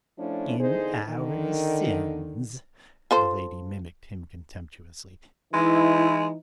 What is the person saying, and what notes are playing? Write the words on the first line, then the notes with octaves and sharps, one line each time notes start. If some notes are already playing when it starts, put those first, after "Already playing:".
"In our sins," the lady mimicked him contemptuously.
F3 A3 C#4 D4 E4 F4
E2 D3 D#4 G#4 C5
D3 D#3
F4 A4 C5
E3 G#3 D#4 E4